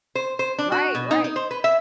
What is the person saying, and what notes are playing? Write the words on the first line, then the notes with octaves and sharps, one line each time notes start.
Right, right.
C5
C5
D4
F#4
B2
D#4
D#4
C5
B4
E5